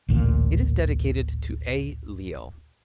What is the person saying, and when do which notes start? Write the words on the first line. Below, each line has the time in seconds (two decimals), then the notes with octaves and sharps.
It is dedicated to A. Leo.
0.09 A1 D2 A#2